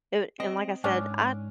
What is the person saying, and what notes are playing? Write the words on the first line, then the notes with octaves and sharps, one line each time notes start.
It w and like I said, I
C4 D#5
G#2 C#4 D4